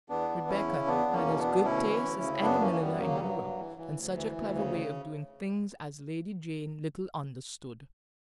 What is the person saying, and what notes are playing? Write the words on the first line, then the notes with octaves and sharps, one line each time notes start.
Rebecca had as good taste as any milliner in Europe, and such a clever way of doing things as Lady Jane little understood.
E2 B3 D4
E3
E2 C#4 E4
C#3
E2 B3 D4
E2
A#3 C#4
B2
B3 D4
B2
D2 C#4 E4
E3
D2
C#3
C#4
F#2 B3 D4
E3 A#3 C#4
A#3
F#2 G3 B3
C#3 F#3 A#3
G3
G2 F#3
G2
E3
E3
D2
E3
D2
C#3